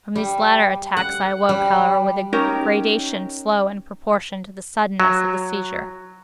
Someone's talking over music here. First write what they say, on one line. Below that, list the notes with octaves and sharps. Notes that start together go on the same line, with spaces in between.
From these latter attacks I awoke, however, with a gradation slow in proportion to the suddenness of the seizure.
G3
F#5
G3
C#4 D#4 G4 A#4
F#3